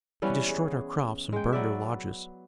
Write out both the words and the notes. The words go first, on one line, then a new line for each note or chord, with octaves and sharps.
He destroyed our crops, and burned our lodges.
E3 G3 B3 C#4
G#4
G#3 G5
F#3 B3 D5 E5